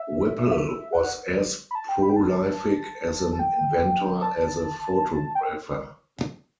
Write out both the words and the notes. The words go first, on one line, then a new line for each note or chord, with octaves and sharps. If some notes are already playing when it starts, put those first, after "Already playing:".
Whipple was as prolific as an inventor as a photographer.
Already playing: E5
E5
F#5
B5
A5
G5
B5
G5
A5
A5
G5
A5
G5